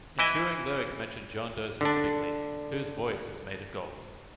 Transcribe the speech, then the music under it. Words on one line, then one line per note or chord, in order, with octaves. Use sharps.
Ensuing lyrics mention John Doe specifically, "whose voice is made of gold".
E3 E4 D#5 G#5
D3 D4